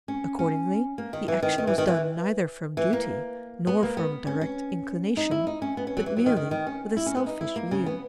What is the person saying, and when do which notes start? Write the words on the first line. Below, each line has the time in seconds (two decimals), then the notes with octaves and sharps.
Accordingly the action was done neither from duty nor from direct inclination, but merely with a selfish view.
0.08 C#4
0.39 C#4
0.98 A#3
1.13 D#3
1.28 E3
1.43 D#3
1.58 D#3
1.67 E3
1.78 D#3
1.87 E3
2.77 E3
2.93 A#3
3.67 B3
3.83 A#3
3.97 B3
4.27 C#4
4.41 C#4
5.17 D#4
5.31 E4
5.47 D#4
5.62 C#4
5.77 B3
5.87 C#4
5.97 F#3
6.06 E3
6.17 F#3
6.26 D#3
6.36 D#3
6.51 D#3
6.67 C#4
6.97 E4
7.06 C#4
7.17 B3
7.27 D#4
7.41 E4
7.56 A#3
7.71 C#3
7.86 B3